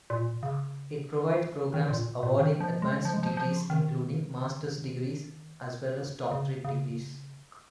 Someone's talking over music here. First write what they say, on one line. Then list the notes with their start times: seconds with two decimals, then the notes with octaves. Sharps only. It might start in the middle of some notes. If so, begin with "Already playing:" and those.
It provides programs awarding advanced degrees including master's degrees as well as doctorate degrees.
0.10 A#2
0.43 C#3
1.74 D#3
1.91 A#2
2.23 A#2
2.39 D#3
2.61 F3
2.82 G#3
3.05 F3
3.13 G#3
3.23 F3
3.37 F3
3.70 D#3
6.31 C#3
6.65 C#3